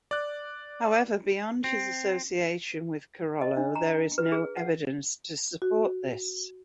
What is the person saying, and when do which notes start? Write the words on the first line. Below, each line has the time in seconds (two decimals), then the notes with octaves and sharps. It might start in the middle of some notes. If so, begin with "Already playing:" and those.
However beyond his association with Carollo there is no evidence to support this.
0.11 D5 F#6
1.64 C4
3.42 D#5
3.57 D4
3.75 A#5
4.18 B4
4.32 G#4
4.57 F#5
5.62 F#4